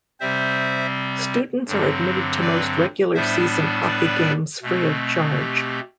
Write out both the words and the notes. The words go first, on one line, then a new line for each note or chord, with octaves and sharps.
Students are admitted to most regular season hockey games free of charge.
C3 G3 C4 C5 E5
G2 D3 F#3 C4
B4 D5
A2 G3 B3 D4 C5 E5
B4 D5
B2 A3 C4
G4